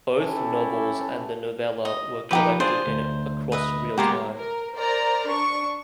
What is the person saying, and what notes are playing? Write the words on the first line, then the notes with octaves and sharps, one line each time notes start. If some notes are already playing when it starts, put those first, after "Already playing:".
Both novels and the novella were collected in "Across Realtime".
C#4 E4 G4 A4
D#5
F3 D#4 G4 B4 G5 D6
D4 F4 G#4 C5
D2
B4 D#5 E5
G#3 A#3 B3 G4 A#5 C6
A#4
A#4 C5 D5 A#5
D4 C#6